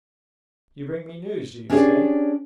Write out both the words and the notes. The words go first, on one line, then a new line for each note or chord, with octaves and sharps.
"You bring me news, do you say?"
C#4 D4 G4 G#4 C#5 D5